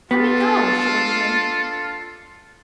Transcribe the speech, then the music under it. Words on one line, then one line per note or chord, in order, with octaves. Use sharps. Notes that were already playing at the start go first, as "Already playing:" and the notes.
"Let me go!" she ordered him.
B3 D4 F4 A4